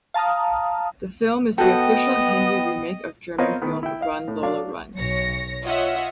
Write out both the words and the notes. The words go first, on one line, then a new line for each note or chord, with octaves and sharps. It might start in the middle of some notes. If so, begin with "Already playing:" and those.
The film is the official Hindi remake of German film "Run Lola Run".
F5 A5 A#5 D#6 F6
B3 F#4 A4 D#5 G5
B3 C4 F4 A#4 C#5 D#5
D#3 A3 B3
E4 G5
D#5 F5
A2
F#3 D4 F5
B1 C#5 A#6 C#7
F4 C#5 D#5 E5 F#5